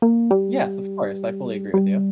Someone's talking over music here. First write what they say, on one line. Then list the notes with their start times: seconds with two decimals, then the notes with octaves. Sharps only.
Yes, of course, I fully agree with you.
0.02 A#3
0.31 G3
1.74 G3